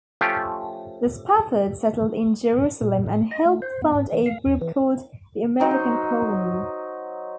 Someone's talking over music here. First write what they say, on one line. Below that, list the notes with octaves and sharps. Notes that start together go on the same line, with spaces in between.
The Spaffords settled in Jerusalem and helped found a group called the American Colony.
F3 A3 C#4 F4 G4
A#2
A2
D#5
A3
C5
B3
G#2
E3
F5
E2
E3
F#3 D#4 F#4 C5